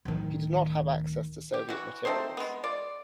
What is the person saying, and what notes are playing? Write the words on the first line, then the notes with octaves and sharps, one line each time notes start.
He did not have access to Soviet materials.
D1 D#3
G4
E3 F#4
A3 C4 D#4 C5
G#3 B3
F4 D5